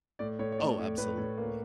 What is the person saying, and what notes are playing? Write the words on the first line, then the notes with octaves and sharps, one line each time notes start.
Oh, absolutely.
A2 D5
A2 C#5
C#5
A2 D5
A2
A2 B4
A2
A#3